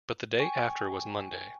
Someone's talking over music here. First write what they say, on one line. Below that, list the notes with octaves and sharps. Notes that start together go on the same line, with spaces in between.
But the day after was Monday.
G5 G#5 C#6